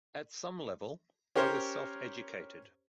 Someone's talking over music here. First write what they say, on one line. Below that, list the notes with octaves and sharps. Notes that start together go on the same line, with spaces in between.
At some level, I was self-educated.
C#4 G4 A#4 C5 C#5